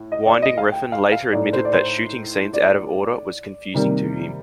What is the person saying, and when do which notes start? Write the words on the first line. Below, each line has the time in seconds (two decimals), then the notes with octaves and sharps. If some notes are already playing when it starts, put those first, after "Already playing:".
Winding Refn later admitted that shooting scenes out of order was confusing to him.
Already playing: A2
0.12 D#5
0.27 D5
0.42 D#5
0.58 F5
0.72 G5
0.92 F5
1.12 F5
1.32 A2 A3 D#4 D5
1.53 C5
1.65 D5
1.73 C5
2.53 D5
3.74 C3 D#3 G3 A#3